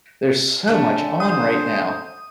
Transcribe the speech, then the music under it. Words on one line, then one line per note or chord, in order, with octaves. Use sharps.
there's so much on right now
D3 A3 C#4 A4
C5 D#6